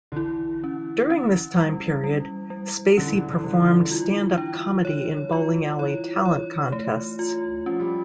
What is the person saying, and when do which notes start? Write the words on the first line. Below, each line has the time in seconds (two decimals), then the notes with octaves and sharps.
During this time period, Spacey performed stand-up comedy in bowling alley talent contests.
0.12 D3
0.16 E3 E4
0.64 C#4
1.10 C#4
1.57 G3
2.04 G3
2.50 G3
2.97 D3 C#4
3.05 E3
3.14 D3
3.21 E3
3.30 D3
3.39 E3
3.44 D3 G3
3.54 E3
3.63 D3
3.91 E3 F4
4.38 D4
4.85 C#5
5.32 F4
5.78 E3 C#5
6.25 C#5
6.72 A3
7.19 F4
7.66 F3 C#4
7.80 G3